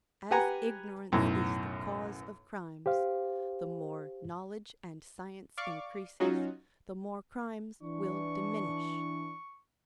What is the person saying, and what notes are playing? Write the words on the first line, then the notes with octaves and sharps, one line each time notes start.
As ignorance is the cause of crimes, the more knowledge and science increases, the more crimes will diminish.
G4 B4 F#5 G#5 A#5
B1 F#2 A2
G4 C5 F5
D5 F5 C#6 D6
F#3 C#4 D#4 F4 F#4
E3 D4 C#6